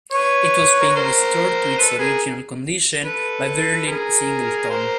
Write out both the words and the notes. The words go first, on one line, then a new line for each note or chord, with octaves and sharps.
It was being restored to its original condition by Verlin Singleton.
B4 C#5
A#4
B4
A#4 C5
A4 B4
G#4 A#4
A4 B4
G#4 A#4
A#4 C5